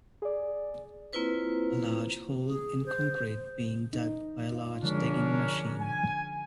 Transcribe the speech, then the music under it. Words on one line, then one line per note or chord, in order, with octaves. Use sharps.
A large hole in concrete being dug by a large digging machine.
G#4 D5
A#3 C4 E4 F4 B4 C5
G#4
C5
D#4
F4
D3 F3 G#3 C#4 D4 A#4
G#5